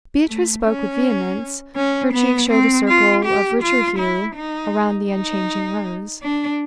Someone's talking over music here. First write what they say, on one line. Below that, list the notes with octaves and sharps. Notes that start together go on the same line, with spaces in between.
Beatrice spoke with vehemence; her cheeks showed a circle of richer hue around the unchanging rose.
A3
C#4
C#4
B3
C4
F4
G4
F4
E4
D#4
D#4
D4